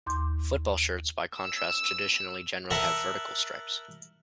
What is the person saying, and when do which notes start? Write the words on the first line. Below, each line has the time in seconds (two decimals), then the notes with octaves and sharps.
Football shirts by contrast, traditionally generally have vertical stripes.
0.06 D#2 C6 D6 G6
1.37 E6
2.70 A#4 E5 F#5 A5